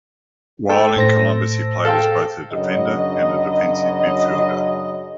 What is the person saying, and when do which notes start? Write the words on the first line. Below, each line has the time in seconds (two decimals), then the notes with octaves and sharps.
While in Columbus, he played as both a defender and a defensive midfielder.
0.69 A3 A4 G5
0.96 A2 C5 A#6
1.85 A4 F5 G5
2.51 F#2 C#3 F#3 D4 D#5